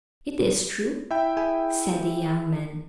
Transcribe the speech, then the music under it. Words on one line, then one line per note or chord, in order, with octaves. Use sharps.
"It is true," said the young man.
E4 E5 G5
E4 G#4 G#5